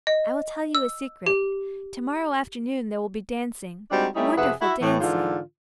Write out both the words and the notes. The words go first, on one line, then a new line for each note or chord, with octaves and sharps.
I will tell you a secret. Tomorrow afternoon there will be dancing--wonderful dancing!
D#5
E6
G4
G3 G#3 C4 D4 D#4 F#4
G3 A3 C#4 D#4 E4
F2 C3 G#4 B4 E5 F#5
E4 F#4 E5
A2 E3
G#2 D3 E3 F4